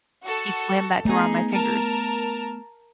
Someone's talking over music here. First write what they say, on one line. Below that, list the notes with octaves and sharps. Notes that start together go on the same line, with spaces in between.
he slammed that door on my fingers,
F#4 A4
A3 B3 D#4 G#4
A#4 A5 F6